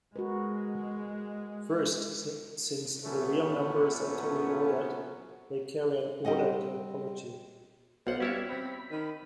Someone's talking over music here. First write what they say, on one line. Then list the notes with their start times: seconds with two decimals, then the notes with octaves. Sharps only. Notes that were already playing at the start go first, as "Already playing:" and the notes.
First, since the real numbers are totally ordered, they carry an order topology.
0.16 G#3 F#4 A#4 B4
3.05 A#2 F#3 A3 B3 C#4
6.25 G3 C4 D#5 F#5
8.07 B1 B3 F#4 C5 F5 F#5
8.20 G3 C#4 E4 C#5
8.49 C4 B5
8.91 D#3